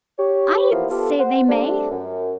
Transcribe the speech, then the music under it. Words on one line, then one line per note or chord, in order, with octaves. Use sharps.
I say they may.
G4 C#5
E3 F3 A#3 B3 E4 F4
B3 F4 G4 A4
C5 F#5
G3 A3 C4 D4
F#2